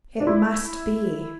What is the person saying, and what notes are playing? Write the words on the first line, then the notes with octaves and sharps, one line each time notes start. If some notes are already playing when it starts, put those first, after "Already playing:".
"It must be."
D4
E4